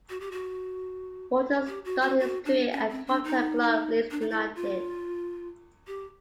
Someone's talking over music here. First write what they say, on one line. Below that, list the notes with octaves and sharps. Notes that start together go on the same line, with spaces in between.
Walton started his career at hometown club Leeds United.
F#4
G4
F#4
G4
F#4
F#4
F#4
D4
C#4
C4
D4
D#4
D4
D#4
E4
F4
G4